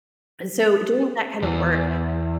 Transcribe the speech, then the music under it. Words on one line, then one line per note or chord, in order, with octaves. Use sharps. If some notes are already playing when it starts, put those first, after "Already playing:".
so, doing that kinda work
E2